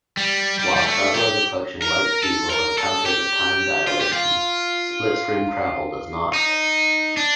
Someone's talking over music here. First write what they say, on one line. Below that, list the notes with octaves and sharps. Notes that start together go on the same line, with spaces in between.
While travellers approaching light speed will encounter time dilation, slipstream travel does not.
G3
G3
G3
A3
G4
A#4
A4
A#4
A4
G4
F4
G4
F4
D#4
D4